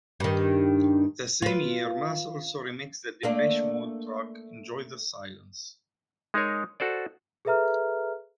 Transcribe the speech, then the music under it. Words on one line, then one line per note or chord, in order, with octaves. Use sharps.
The same year, Maas also remixed the Depeche Mode track "Enjoy the Silence".
G2 D#3
F4 B4
A3 A#3 D4
G#3 D#4 G#4 A#4 C#5
F#4 A4 C5 D5
G#4 A4 B4 E5 A#5 F6